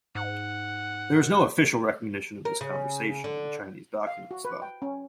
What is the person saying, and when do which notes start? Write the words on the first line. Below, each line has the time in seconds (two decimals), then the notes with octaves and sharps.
There is no official recognition of this conversation in Chinese documents, though.
0.15 G#2 F#5
2.45 A#4
2.61 C#3
3.24 D3
4.07 F5
4.31 F#4
4.45 B4
4.62 G5
4.82 C#4